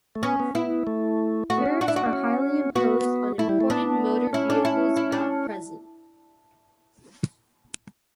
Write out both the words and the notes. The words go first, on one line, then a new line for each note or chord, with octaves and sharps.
Tariffs are highly imposed on imported motor vehicles at present.
A3
B3 C#4
B3
B3 E4
A3
A3 F#4
B3
C#4
D4 F#4
E4
F#4
D4
C#4
B3 F#4
A3 E4
G3
A3
B3 D4
C#4 E4
D4
E4
E4
D4